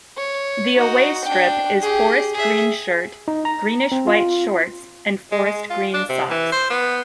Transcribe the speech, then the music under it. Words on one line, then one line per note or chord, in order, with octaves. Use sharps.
The away strip is forest green shirt, greenish-white shorts, and forest green socks.
C#5
D#4 F#4
D4 G5
G4 G#4
G#4 E5
D#4
A#5
C4
F4
G#3
G#3
F4
D4
C3
E3
C5
B3